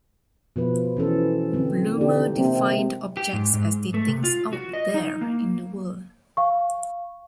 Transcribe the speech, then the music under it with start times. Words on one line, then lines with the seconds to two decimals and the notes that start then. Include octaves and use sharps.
Blumer defined objects as the things "out there" in the world.
0.56 B2 F3 B4
0.97 E3 C#4 A4
1.53 D3 C4
1.97 D3 D#4 G4
2.36 C3 A#3
3.17 G4
3.33 G#2
3.54 G#2
3.94 A3
4.08 C3
4.24 F4
4.53 F#4
4.73 D#5
4.94 D#4
5.21 A#3
6.37 F5 C#6